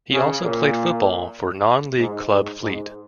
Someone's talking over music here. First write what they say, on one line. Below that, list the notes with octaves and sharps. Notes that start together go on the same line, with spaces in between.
He also played football for non-League club Fleet.
C#3
A#2
G#2
G#2
G#2